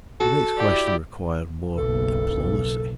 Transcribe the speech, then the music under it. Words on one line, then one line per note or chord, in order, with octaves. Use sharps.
The next question required more diplomacy.
F#4 A4
E4 G4 D5
F#1 B1 A4